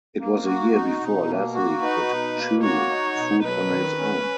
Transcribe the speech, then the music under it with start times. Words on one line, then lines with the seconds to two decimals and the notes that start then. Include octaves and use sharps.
It was a year before Leslie could chew food on his own.
0.19 A#3
0.46 F#4
0.73 D#4
1.00 B2
1.27 A#3
1.54 F#4
1.81 D#4 B4
2.08 B2
2.35 A#3
2.62 F#4 C#5
2.89 D#4
3.17 B2
3.44 F#3 B4
3.71 D#3
3.97 C#4